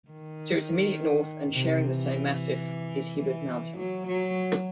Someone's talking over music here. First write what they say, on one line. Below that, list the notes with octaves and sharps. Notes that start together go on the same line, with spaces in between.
To its immediate north and sharing the same massif is Hibbard Mountain.
D#3
C3
E3
E3
F#3
F#3